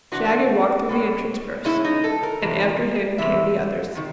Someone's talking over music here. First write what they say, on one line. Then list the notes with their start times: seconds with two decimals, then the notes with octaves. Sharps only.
Shaggy walked through the entrance first, and after him came the others.
0.12 C3 E3 A3 D4 F#4
0.89 B2 G#3 C#4
1.65 B2 G#3 C#4 E4
1.85 D#4
2.04 A4
2.23 A#4
2.42 E2 C3 E3
3.18 E2 C3 E3 E5
3.95 C3 D#3